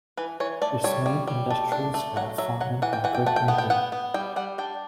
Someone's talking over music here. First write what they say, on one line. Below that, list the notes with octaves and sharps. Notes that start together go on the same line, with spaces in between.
Its main industries were farming and brick-making.
E3 B4
E3 C#5
A3 D5
G3 C#5
G3
G3
A3
D4
A3
F#3 F#5
F#3 E5
F#3 F#5
E3 F#5
G5
E3 F#5
G5
A3 F#5
G5
B3 F#5
G5
B3 F#5
B3
G3 G5
G3 F#5
D4 G5